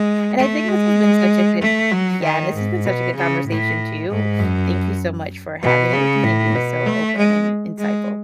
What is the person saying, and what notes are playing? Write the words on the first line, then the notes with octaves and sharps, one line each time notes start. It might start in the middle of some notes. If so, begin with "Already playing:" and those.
and I think this has been such a good Yeah, this has been such a good conversation too, thank you so much for having it with me and being so open and insightful.
Already playing: G#3
A3
G#3
A3
F#3
D#3
G#2
B2
C#3
A2
G#2
F#2
B2
C#3
A2
B2
A3
G#3
G#3